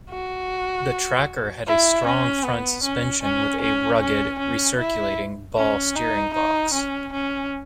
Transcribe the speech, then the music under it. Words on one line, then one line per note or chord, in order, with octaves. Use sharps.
The Tracker had a strong front suspension with a rugged recirculating ball steering box.
F#4
E4
C#4
B3
C#4
C#4
C#4
C#4
C#4
E4
C#4
D#4
D#4
C#4
C#4